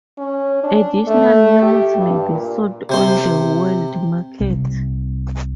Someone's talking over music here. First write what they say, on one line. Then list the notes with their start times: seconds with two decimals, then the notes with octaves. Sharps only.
Additional units may be sold on the world market.
0.18 C#4
0.63 D4
1.08 A3
1.62 G4
1.97 G2
2.29 A#2
2.89 C3 C5 C6
4.41 C2